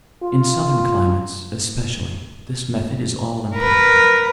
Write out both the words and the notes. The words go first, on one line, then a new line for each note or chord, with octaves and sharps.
In southern climates, especially, this method is all important.
F4
A#4 B4